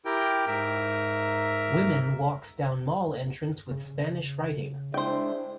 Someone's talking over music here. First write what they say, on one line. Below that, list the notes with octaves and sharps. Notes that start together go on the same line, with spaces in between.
Women walks down mall entrance with Spanish writing.
E4 G4 A#4 G5
G#2 A#4 E5
C#3
G#3 D4 E4 C5 G5